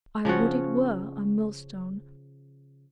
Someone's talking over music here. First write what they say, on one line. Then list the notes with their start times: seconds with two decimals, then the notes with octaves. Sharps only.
I would it were A millstone!
0.25 C#3 F3 C#4 F#4